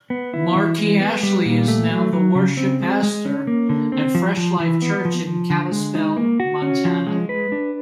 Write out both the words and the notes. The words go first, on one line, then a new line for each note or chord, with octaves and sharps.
Marquis Ashley is now the worship pastor at Fresh Life Church in Kalispell, Montana.
B3
E4
E3
G#3
B3
G3
A#2
A3
F#3
F#3
C#3
C4
G#3
G#3
C#4
A#3
D3
C4
F3
F3
E3
B3
F3
F3
D3
G#3
D#4
A#3
F#4
C#4
F3
G#3
B4
D4